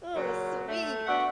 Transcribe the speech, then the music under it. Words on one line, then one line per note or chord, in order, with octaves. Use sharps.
Oh, sweet.
A#2 C#3 F#3
A3
B3 D4 F#4 E5 F#5